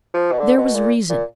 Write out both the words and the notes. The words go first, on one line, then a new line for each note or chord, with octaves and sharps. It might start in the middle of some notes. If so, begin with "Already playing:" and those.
There was reason.
F3
B2
D3
B2
A#2
A#2